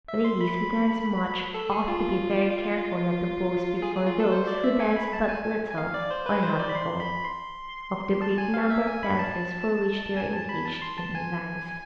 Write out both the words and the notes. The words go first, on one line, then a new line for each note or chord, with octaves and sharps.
Ladies who dance much, ought to be very careful not to boast before those who dance but little or not at all, of the great number of dances for which they are engaged in advance.
E5
C6
B5
A4
G#4
F4
G#4
G#4
F4
A4
C5
D5
E5
G#5
B5
A5
G#5
G#5
G#5
F5
D5
C5
B4
C5
D5
B5
C6
B5
C6
A5
G#5
F5
E5
G#5
B5
A5
G#5
A5
B5
A5
C6
A5
G#5